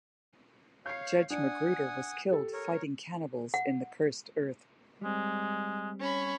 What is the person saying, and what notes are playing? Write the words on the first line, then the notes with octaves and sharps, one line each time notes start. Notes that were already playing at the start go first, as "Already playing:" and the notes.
Judge McGruder was killed fighting cannibals in the Cursed Earth.
C#5 F5 G6 C7
D4 F#5 G#5 D#6
G4 A4
A#4 C#5
F#5
G3 G#3 C4
C#4 C#5 B5